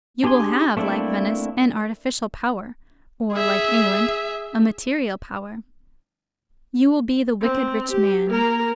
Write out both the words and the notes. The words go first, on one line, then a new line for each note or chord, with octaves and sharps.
You will have, like Venice, an artificial power, or, like England, a material power; you will be the wicked rich man.
D4 G4 G#4 G#5 C6
A3 A#3 C4 D4 E4
G#4 E5
C4
G4
A#3 A#4